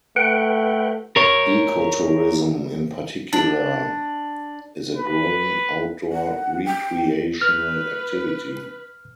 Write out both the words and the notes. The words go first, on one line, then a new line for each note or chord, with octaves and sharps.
Ecotourism, in particular, is a growing outdoor recreational activity.
A3 B4 F#5 G5
A#4 C#5
D4
B4
F#5
G5
B4 F6